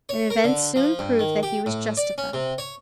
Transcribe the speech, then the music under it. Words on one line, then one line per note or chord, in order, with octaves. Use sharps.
And events soon proved that he was justified.
C#5
A#4
D3
F3
G2
D#3
G4
A2
D5
C#4
C3
C#5